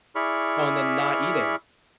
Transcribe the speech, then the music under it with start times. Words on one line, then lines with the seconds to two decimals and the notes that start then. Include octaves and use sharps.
Oh, and then not eating.
0.15 E4 G#4 D5 B5 C#6 F6